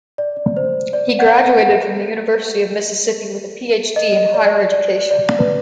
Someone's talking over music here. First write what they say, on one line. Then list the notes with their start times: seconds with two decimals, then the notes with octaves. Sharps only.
He graduated from the University of Mississippi with a PhD in higher education.
0.18 D5
0.57 C5
0.93 D5
1.19 F#5
1.44 F#5
3.96 D#5
4.34 D5
4.72 D5
5.11 D5
5.39 B4